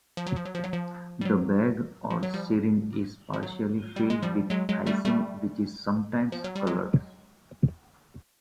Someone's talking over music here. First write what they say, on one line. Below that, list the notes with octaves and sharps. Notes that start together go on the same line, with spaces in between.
The bag or syringe is partially filled with icing which is sometimes colored.
F3
F#3
F3
F#3
F3
F#3
F3
G3
F#3
F3
F#3
F3 G3
F3
F#3
G3
G#3
F3 G3
F#3 G#3
F#3 G#3
G3 A3
G3 A3
F3
F#3
G3
F#3 G#3